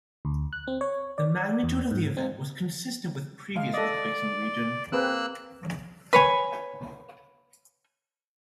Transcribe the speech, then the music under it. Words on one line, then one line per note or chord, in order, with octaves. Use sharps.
The magnitude of the event was consistent with previous earthquakes in this region.
D2
F#6
C4
C#5
D5
E2
G#2
C4
G#3 F5
A4 D5 D#5
A#3 C4 G#4 B4 E6 F#6
B4 C#5 G#5